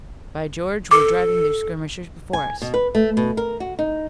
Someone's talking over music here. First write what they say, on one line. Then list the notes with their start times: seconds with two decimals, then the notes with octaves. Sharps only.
By George, we're driving their skirmishers before us!
0.91 A4 D6
2.33 G#5
2.62 B2
2.74 B4
2.95 A3
3.17 B2
3.37 A#4
3.60 F#4
3.79 D#4